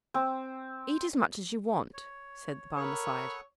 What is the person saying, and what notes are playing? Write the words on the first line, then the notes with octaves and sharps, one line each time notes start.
"Eat as much as you want," said the Barmecide.
C4
C#5
A4 A#4 C#5 F#5 B5 D#6